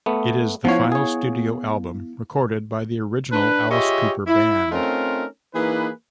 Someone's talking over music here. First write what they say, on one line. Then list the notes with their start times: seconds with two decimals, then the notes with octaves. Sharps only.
It is the final studio album recorded by the original Alice Cooper band.
0.06 A3 B3
0.65 F3 B3 E4 C#5 F5
0.92 G#4 C#5
3.33 D4 B4
3.71 F4 G4 G#4 C#5 D#5 E5
4.27 E4
4.72 A3 C4 C#4 D#4 F4 A#4
5.55 E3 A#3 D#4 G#4 B4